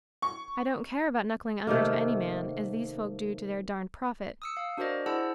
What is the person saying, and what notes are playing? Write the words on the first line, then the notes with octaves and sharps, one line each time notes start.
I don't care about knuckling under to any man, as these folk do to their darned prophet.
C#6
C3 D#3 A3 A#3
D#6 E6 C#7
F5
D4 F#4 A#4 C5 D5 D#5
E4 G#4 C5 F#5 A5 E6